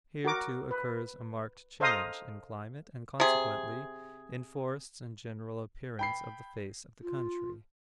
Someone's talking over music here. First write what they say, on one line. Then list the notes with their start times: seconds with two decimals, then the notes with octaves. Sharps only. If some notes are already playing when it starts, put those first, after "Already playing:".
Here, too, occurs a marked change in climate and consequently in forests and general appearance of the face of the country.
0.25 F#4 A#4 D6
0.71 B4
1.80 A4 C5 D#5 F5 A#5 D#6
3.20 C3 G#4
5.99 G5 B5 C7
7.02 F4